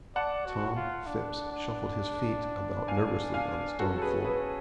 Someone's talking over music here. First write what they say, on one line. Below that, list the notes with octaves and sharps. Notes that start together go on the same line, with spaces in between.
Tom Phipps shuffled his feet about nervously on the stone floor.
D5 F#5 A5
F#4
F4
D4
D4
F5 G#5
F5 G#5
C#4 F#4 A4
A4
G#4 B4
G#4 B4